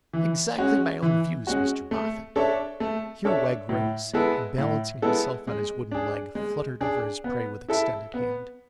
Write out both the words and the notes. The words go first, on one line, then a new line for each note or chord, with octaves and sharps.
Exactly my own views, Mr Boffin.' Here Wegg rose, and balancing himself on his wooden leg, fluttered over his prey with extended hand.
E3
G#3 C#4 F#4
E3
G#3 C#4 F#4
A3
D4 A4 C#5 E5
A3
D4 A4 C#5 E5
A2
G#3 B3 E4 A4
A2
G#3 B3 E4 A4
G#3
D4 G#4
G#3
D4 G#4
B3
E4 A4 E5
B3